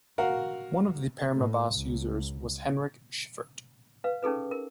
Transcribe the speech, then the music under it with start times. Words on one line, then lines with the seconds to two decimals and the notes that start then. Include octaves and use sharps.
One of the Permobas users was Henrik Schyffert.
0.18 F#4 A#4 F5 F#5
1.34 A2
1.75 C#2
4.04 B4 F5
4.23 C#4 D#4 G#4 A4 B4
4.51 A#4